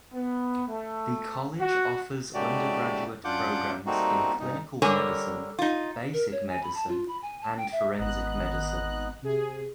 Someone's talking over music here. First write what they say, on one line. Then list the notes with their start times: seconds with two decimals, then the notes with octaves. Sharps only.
The college offers undergraduate programs in Clinical Medicine, Basic Medicine and Forensic Medicine.
0.13 B3
0.68 A3
1.60 F#4
2.34 G#2 C#3 A3 F#4 G4 D5
3.25 F#2 D4 F4 F#5 D6 G6
3.86 G3 A3 A#3 C4 D#4 F#4
4.39 G2 A#2 D#4
4.82 D3 G3 A#4 C#5 G#5
5.59 D#4 F4
6.14 A#4
6.32 C#5
6.49 G#5
6.63 B5
6.75 A5
6.88 F4
7.08 B5
7.22 G#5
7.42 A5
7.58 G5
7.72 E5
7.98 G#1 B3 D#5 A#5 F#6
9.22 C3 G#4